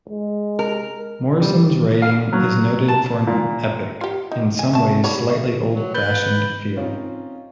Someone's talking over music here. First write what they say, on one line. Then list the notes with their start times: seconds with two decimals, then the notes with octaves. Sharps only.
Morrison's writing is noted for an epic, in some ways slightly old-fashioned feel.
0.10 G#3
0.59 A#4
1.41 G3
2.02 F5
2.33 F#3
2.88 A5
3.27 A#2
4.01 F4 G4
4.32 D#4
4.59 G#5
4.73 A3 A5
5.04 G3 B4 C#5
5.30 A3
5.75 F#3
5.95 B4 G6 A6 G7
6.76 C4 C#4 D#4 F4